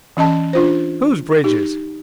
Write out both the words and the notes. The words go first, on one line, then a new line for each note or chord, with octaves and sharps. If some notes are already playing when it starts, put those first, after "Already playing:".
Whose bridges?
E3 C#4 D#5 A5
D4 F4 C5
D#4 G4